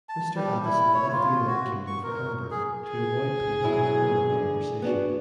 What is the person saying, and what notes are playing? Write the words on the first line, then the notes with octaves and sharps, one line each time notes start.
Mister Addison left the United Kingdom for Hamburg to avoid payment of criminal conversation.
A5
G3
E4
C#5
F4
F#4
C#6
A#4
G#4
G#4
B2 F#3 E4
D3
B3 D4 F#4